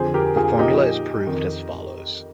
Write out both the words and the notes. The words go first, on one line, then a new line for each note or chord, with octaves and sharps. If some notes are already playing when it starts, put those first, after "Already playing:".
The formula is proved as follows.
Already playing: F2 D3 F3 G#4 C5
G4 A#4
F4 G#4
A#2 F3 D#4 G4
F2 D#3